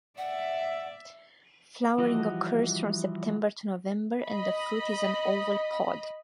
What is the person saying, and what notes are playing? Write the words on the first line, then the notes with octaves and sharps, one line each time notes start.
Flowering occurs from September to November and the fruit is an oval pod.
D5 E5 F#5
E3 F3 G3 F#4 D#5
D#5 B5